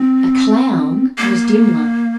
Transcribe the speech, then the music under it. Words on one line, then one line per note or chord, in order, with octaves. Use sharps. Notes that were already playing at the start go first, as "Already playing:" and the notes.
A clown was Dimmler.
Already playing: C4
A#3